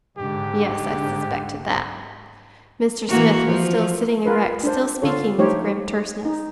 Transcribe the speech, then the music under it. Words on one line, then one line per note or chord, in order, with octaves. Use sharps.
"Yes, I suspected that." Mr. Smith was still sitting erect, still speaking with grim terseness.
G#2 D3 G4
E3 A#3 F#4
F3
F4 A#4 B4
D4 C5
D3 F4 A4 C#5
F3 A3 D#4 G4 C5 C#5
D#4